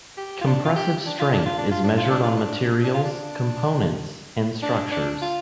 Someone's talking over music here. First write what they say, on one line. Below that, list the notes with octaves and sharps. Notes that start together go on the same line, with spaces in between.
Compressive strength is measured on materials, components, and structures.
G4
F4
D4
F4
G4
D4
F4
D4
F4
D4
F4
D4
F4
D4
F4
D4
D4
F4
D4
D4
D4
F4